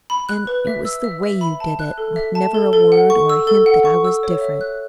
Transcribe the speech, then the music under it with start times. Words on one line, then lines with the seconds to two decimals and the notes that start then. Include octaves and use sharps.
And it was the WAY you did it, with never a word or a hint that I was different.
0.10 B5
0.29 F#6
0.47 B4
0.67 E5
0.85 E6
1.04 E5
1.23 E5
1.41 B5
1.60 A5
1.80 F#6
1.98 A4
2.16 E5
2.35 A5
2.55 A4
2.73 A4
2.92 F#5
3.10 C#6
3.30 E6
3.47 A4
3.66 F#5
3.85 C#6
4.05 E6
4.23 C#5
4.41 E5
4.61 F#6